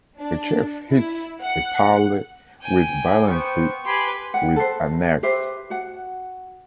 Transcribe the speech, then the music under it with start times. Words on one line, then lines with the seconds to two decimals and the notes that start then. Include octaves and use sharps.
A chef hits Epalle with violently with an axe.
0.18 D4
0.90 E4
1.40 F#5
2.62 G5 G#5
3.27 B3 C5 G5 C#6
3.85 G4 B4 G#5 B5 C6
4.34 F#5 G5
4.56 A4 B4 C5
5.23 G4 B4 C5 E5
5.70 F#4 F#5